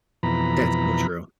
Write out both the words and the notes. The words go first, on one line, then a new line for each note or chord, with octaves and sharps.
That's so true.
F2 B2 E3 A#5 B5